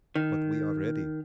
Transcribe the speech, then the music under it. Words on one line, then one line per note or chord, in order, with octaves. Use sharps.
But we are ready.
D#3